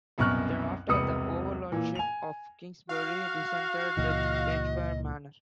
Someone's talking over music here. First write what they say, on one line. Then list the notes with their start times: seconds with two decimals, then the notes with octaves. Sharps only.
Thereafter the overlordship of Kingsbury descended with Edgware manor.
0.18 C2 F#2 B2 C#6 F6 F#6
0.88 E1 C2 C3 B4 D#6 C#7
1.72 A#2 E3
1.95 G#5 F7
2.89 F#4 F5
3.97 C#2 A#2 E3 D#5